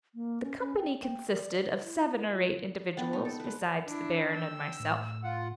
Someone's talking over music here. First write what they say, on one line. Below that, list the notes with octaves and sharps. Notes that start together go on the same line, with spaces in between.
The company consisted of seven or eight individuals besides the Baron and myself.
A#3
C#4
C#4
G5
G5
A#4
D5
B4
E4
F4
B3 D4 G5
D#4
A4
G#3 B4
D4 E4
G5 E6
A2
F4 F#5